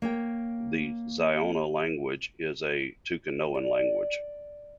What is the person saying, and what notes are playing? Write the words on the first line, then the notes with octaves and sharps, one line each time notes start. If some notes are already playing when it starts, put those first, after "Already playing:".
The Siona language is a Tucanoan language.
A#3 C#5 G5
D5